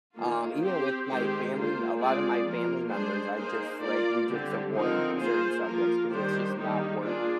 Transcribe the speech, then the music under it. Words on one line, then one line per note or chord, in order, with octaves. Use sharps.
um, even with my family m a lotta my family members, I just, like we just avoid certain subjects 'cause it's just not worth,
D#3 A#3 F4
C4 G4 C5
D#3 G#3 C4 G4 C5
A#3 F4 C5
G#3 C4 F4 G#4 D5
F3 A#3 F4 A#4
G#3 D4 G#4 C5
A#3 D#4 G#4 C5
A#3 F4 A#4 D5
D3 G3 C4 G4
D3 F3 C4 D#4 A#4
A#3 F4 G#4 C5
F3 A#3 F4 A#4
D#3 G3 D4 G4 C5
D#3 G3 A#3 D#4 G4
A#3 D4 F4 G#4 D5